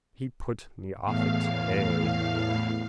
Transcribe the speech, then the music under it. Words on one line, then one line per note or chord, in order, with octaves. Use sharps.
He put me off it. Ay.
E2 A2 F5